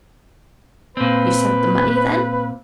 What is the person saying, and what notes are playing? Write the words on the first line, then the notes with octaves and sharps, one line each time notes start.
"You sent the money, then?"
A#2 C4 B4